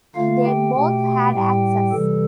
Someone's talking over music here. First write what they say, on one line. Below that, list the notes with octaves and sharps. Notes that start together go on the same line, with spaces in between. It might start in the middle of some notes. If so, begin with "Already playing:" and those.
They both had access.
D3 A3 F4 F5
G4 G5
B2 A3 G4 G5
A2 G3 G4 G5
C3 E3 G3 A4